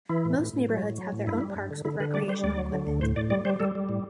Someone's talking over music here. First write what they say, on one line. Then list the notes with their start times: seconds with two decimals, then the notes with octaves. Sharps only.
Most neighborhoods have their own parks with recreational equipment.
0.09 E3 E4
0.25 A2
0.39 A2
0.53 A2
0.69 F#3
0.82 A2
0.98 F#3
1.12 A2
1.26 G2 E4
1.41 G3
1.56 G2
1.71 D3
1.85 D3 E4
2.00 D3 B4
2.14 G3 D5
2.28 G3 C5
2.44 D2 D5
2.58 F#3
2.72 D3
2.87 D2
3.01 A2 C5
3.16 A2 D5
3.30 G3 D5
3.45 G3 C5
3.60 G3 A4
3.75 G3
3.89 A2